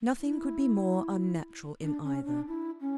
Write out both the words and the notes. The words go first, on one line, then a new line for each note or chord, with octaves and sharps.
Nothing could be more unnatural in either.
E4
D4
C#4
D4
E4
C#4